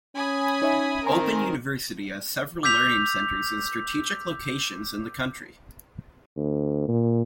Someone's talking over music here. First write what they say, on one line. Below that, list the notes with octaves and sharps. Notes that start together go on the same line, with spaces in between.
Open University has several Learning Centers in strategic locations in the country.
C#4 G#5 B5 D#6
D#4 C#5 E5
D#3 C4 A#4 G#5 A#5 C6
D6 E6 G6 B6 F7
D2
A#2